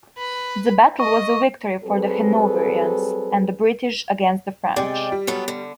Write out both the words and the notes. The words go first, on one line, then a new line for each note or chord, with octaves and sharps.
The Battle was a victory for the Hanoverians and the British against the French.
B4 B5
D#5 C#6
F#3 G3 C4 G#4 A4 B4
C3 G#3 D5 G5
G3
F#3 B3 A4
D3